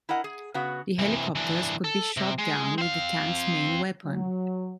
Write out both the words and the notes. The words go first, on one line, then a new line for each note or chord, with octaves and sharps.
The helicopters could be shot down with the tank's main weapon.
E4 A#4 D#5 F#5
G#4
C#3 B3 F#4
C3 E3
E3 D4
A4
C3
G#3
C4 F5
F#3